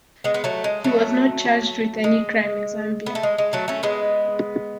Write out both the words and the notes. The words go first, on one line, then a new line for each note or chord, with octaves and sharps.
He was not charged with any crime in Zambia.
G#3 B3
B3
F#3 A3
G#3
F#3 A3
G#3
B3
A3
G#3
G#3
F#3 A3
A3 C#4
G#3 B3